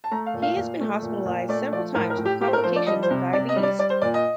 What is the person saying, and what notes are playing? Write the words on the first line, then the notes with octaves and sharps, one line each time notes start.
He has been hospitalised several times with complications of diabetes.
A5
A3 A#5
F5
A#2
F5
A#2
A3
A#2
A#2
A3 D5
F3 D5
A2 A#4
A#4
A2
G4
A3 G4
C5
A#4
F3 C5
D5
G3 D#5
C5
C3
C3 D5
D#5
G3
D5
G3 D5
C5
A#2 D5
D#5